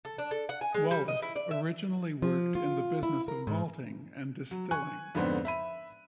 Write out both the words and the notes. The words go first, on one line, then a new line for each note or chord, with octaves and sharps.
Wallace originally worked in the business of malting and distilling.
A4
D4
A4
F#5
G#5
G#3
G3
D#5
E4
D5
E5
F3
F4
E4
A#4
G#2
F#3
G#5 C#6 F#6
F2 G#2 D3 B3 C4 D4
E5 B5 D#7